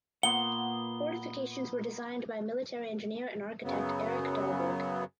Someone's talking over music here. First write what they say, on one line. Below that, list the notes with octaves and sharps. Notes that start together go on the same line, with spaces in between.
Fortifications were designed by military engineer and architect Erik Dahlberg.
A#2 A#3 B3 F#5 C6 G7
F#2 C#3 F#3 B3